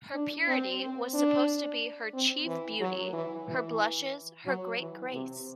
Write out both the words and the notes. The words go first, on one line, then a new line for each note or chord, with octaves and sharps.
Her purity was supposed to be her chief beauty--her blushes, her great grace.
D4
C4
C4
D4
C4
E3
F#3
E3
E3
F#3
E3
C3